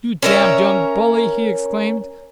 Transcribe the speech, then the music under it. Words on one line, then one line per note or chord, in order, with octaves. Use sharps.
"You damned young bully!" he exclaimed.
C#4 A#4 E5